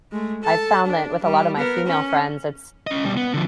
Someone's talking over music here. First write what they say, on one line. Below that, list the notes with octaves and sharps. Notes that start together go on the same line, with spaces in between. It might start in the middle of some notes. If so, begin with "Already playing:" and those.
I've found that with a lot of my female friends, it's
G#3 A3
A4 A5
D4
G3
B3 A#4
C#4
C#4 D#5
B2 G3
B3
D3 F3